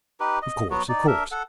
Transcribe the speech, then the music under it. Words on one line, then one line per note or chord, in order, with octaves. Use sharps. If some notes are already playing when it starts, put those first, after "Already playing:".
'Of course, of course.
D#4 G4 B4
D#5
F#3 B3 F#4
D#4 D5
D4 A#4 E5
A4 F#5